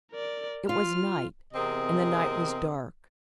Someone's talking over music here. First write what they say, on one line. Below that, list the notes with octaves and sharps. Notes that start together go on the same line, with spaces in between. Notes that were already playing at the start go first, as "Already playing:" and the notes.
It was night, and the night was dark.
A#4 D5
F4 F6
E2 C3 C4 G#4 A#4 D#5